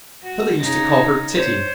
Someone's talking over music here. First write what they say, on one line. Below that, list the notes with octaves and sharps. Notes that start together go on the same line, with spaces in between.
So they used to call her Titty.
F#4
C#3 D#4
C5 C#5